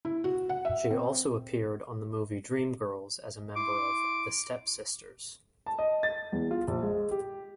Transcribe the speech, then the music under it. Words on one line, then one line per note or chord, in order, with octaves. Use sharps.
She also appeared on the movie Dreamgirls as a member of 'The Stepp Sisters'.
E4
F#4
F#5
E5
C4
E4 C6 D6
A5
D#5
A6
E2
F4
A#1
G#3
G4